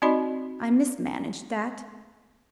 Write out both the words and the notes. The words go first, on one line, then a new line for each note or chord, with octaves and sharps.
I mismanaged that.
C4 D#4 F#4 D5 D#5 B5